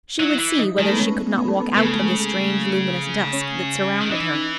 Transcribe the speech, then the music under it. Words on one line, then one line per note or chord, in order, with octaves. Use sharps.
She would see whether she could not walk out of the strange luminous dusk that surrounded her.
F#3 E4
E3
D#4
D#3 G#3
A3
B3
C#4
B3
A3
B3
C#3 B3
A3
G#3
A3
C#4
D#3
E3 D#4